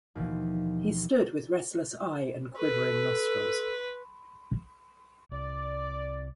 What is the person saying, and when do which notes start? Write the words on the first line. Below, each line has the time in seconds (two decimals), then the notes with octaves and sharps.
He stood with restless eye and quivering nostrils.
0.15 D#2 B2 E3 F3
2.58 A4 B4
5.32 C2 D5